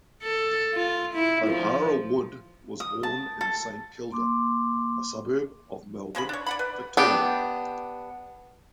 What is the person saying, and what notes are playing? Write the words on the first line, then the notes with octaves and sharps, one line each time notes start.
O'Hara Wood was born in Saint Kilda, a suburb of Melbourne, Victoria.
A4
F4
E4
F3
D#6
A5
A4
A#3 C6 D6
D3 G#3 C5 B5
D4 C#5
D5 F#5 B5
B4
B3 D4 G4